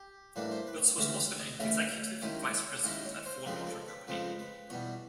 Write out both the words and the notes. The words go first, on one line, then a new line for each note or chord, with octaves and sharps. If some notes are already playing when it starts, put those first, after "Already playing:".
Lutz was also an Executive Vice President at Ford Motor Company.
Already playing: G4
A2 E3 G3 A#3 D4 B4
C5
B4
C#5
D2 C#3 E3 G#3 C#4
D#5
D2 C#3 E3 G#3 C#4 E5
D#2 D#3 G#3 C#4 E4
D#2 D#3 G#3 C#4 E4 D#5
C#5
C5
F2 C#3 F3 G#3 C4 B4
A4
B4
F2 C#3 F3 G#3 C4 B4
B4
E2 B2 G3 C#5